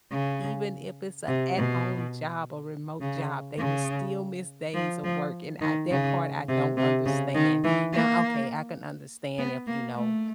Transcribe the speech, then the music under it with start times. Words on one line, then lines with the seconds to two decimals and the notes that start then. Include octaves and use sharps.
even if it's a at home job or remote job, they will still miss days of work, and at that part, I don't understand. Now, okay, I can understand if, you know,
0.12 C#3
1.28 C3
1.57 B2
3.01 C#3
3.59 C#3
4.74 F3
5.04 F3
5.61 D#3
5.91 C#3
6.49 C3
6.77 C3
7.06 C#3
7.35 D#3
7.64 E3
7.93 A#3
9.39 B3
9.67 A#3
9.95 A3